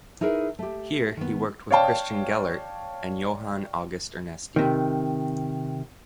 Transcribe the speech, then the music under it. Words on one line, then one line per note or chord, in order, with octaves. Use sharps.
Here he worked with Christian Gellert and Johann August Ernesti.
D#4 E4 G#4 A#4 B4
A3 G4
D#3 B3
C#5 D5 F5 G5 A5
C3 D#3